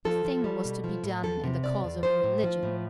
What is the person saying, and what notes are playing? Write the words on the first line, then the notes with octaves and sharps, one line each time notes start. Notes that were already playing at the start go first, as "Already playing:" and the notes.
The thing was to be done in the cause of religion.
F3 A4
F3
G3
B2
F3
A2
E2 A4
C3
B2 D5
E2
F3 C5
A2
F3
A2